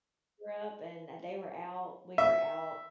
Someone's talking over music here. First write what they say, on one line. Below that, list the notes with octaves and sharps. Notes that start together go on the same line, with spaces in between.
grew up and they were out we were out
E5